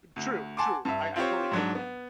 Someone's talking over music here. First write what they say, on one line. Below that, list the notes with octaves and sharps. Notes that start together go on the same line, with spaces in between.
True. True. I I totally get that.
D2
F#5 G#5 A5 C6 D6
G2 E5
C4 F4 G4 C5 C#5
G#2 F#3 D4
B3